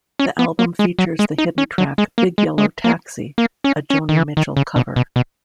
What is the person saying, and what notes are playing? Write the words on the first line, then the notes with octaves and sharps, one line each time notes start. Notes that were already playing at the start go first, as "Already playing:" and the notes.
The album features the hidden track "Big Yellow Taxi", a Joni Mitchell cover.
C#4
B3
A#3
G#3
F#3
G#3
D#4
C#4
F#3
G#3
A#3
G#3
G#3
A#3
A#3
C#4
C#4
D#3
E3
D#3
C#3
B2
B2
B2